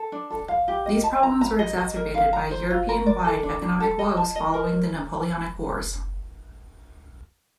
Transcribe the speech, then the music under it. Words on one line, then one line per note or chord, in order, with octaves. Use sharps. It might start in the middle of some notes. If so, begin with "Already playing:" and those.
These problems were exacerbated by European wide economic woes following the Napoleonic Wars.
Already playing: A4
D4
A4
F5
G4
D#5
A5
A#5
A#5
D#5
D#5
A#4
F5
A#5
C5
F4
A#4
D5
A4
D4
D4
A4
D#5
A5
D#5
A#4